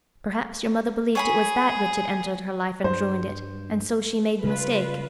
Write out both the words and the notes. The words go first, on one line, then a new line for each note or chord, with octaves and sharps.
Perhaps your mother believed it was that which had entered her life and ruined it; and so she made the mistake.
G#4 C#5 G#5 B5
G2 C5
C#3 G3 F4 B4